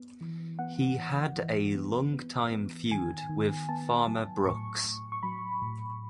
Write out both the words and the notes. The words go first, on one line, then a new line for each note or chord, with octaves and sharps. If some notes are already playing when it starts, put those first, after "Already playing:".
He had a longtime feud with Farmer Brooks.
Already playing: B3
E3
B3 F#5
E3
E3
B3
B3
B3
D#3 G#5
D#3
B3 A5
F#3
A2 C#6
A2
C#6
F#3 B5
A2